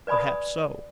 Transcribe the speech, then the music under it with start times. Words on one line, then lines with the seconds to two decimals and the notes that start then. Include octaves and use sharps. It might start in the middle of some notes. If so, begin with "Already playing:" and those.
Perhaps so.
0.07 B4 D5 G#5 B5 D#6